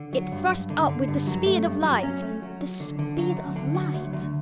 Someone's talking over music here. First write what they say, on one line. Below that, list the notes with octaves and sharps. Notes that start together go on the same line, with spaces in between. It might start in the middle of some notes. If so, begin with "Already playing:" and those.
It thrust up with the speed of light--the speed of light?
Already playing: D3
F#3
G2
G2
D3
D3
G2
F#3
A3
G2
F#3
C#4
A3
F#3
F#3
D3
D3
F#3
D2
D3
F#3
D2
D2